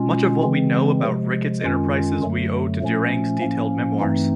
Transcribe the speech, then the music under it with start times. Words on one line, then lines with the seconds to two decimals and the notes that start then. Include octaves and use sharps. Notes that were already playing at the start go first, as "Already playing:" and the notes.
Much of what we know about Ricketts's enterprises we owe to Durang's detailed memoirs.
Already playing: B2 G#3 C#4 F4
0.43 C#3 E3 G#3 C4
1.03 C3 F3 G#3
1.63 F#2 D#3 G#3 C#4 F4
2.23 F#2 D3 F#3 A3
2.81 A#2 F3 A3 C#4
3.41 A2 F3 A#3 C#4
4.00 G2 E3 A3 C4 D#4